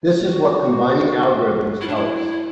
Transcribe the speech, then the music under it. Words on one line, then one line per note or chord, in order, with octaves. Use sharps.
This is what combining algorithms tell us.
F#4
E4
D4
E4
E4